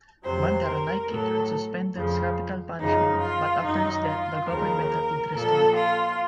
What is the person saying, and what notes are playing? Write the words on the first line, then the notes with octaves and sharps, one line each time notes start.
Bandaranaike had suspended capital punishment, but after his death the government had it restored.
F2 C3 F#3 C5
A#4
A2 F#3 A4
F2 C#3 F3
F#2 C#3 F3 D#4
F4
F#2 D#3 F#3 D#4
F4
D#2 C#3 F3 A#4
A#2 F3 A4
F4